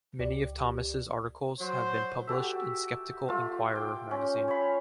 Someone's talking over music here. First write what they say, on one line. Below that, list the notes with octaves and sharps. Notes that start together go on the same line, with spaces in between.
Many of Thomas' articles have been published in Skeptical Inquirer magazine.
C#2 G4 D5
F#3 C5
F#4 G4 A4 E5
A3 F4
G5 D6
C#4
C#5 F5 B5